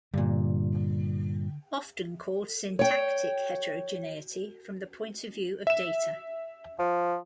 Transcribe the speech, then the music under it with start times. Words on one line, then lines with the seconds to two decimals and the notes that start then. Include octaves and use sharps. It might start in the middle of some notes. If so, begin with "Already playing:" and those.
Often called syntactic heterogeneity from the point of view of data.
0.14 G2 A#2 D3
2.79 C#5 G5
5.67 E5 E7
6.79 F3